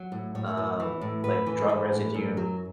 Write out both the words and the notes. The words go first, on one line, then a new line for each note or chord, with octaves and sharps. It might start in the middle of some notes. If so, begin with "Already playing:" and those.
um, like drug residue.
Already playing: F#3
A2
A2 C#5
E3
E3
A2
A2 B4
E3
E3
A2
F#2
F#3